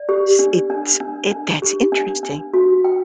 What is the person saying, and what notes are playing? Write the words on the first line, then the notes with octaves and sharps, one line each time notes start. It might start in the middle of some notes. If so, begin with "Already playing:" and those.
S it's it that's interesting.
Already playing: D5
G4
D4
D4
D4
D4
G4
D4
D4
F#4
G5